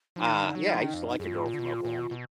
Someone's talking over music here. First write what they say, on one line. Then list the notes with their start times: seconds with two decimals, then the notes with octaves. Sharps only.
Uh, yeah, I used to like a girl from Oklahoma,
0.16 F3 D#4
0.29 D#3
0.42 D3
0.55 F#3
0.68 F3
0.81 D#3
0.94 F2
1.07 F#2 D#4
1.20 F#2 G#4
1.24 F4
1.33 G#2
1.46 A#2
1.54 D3
1.59 B2
1.71 A#2
1.85 A#2
1.98 B2
2.11 B2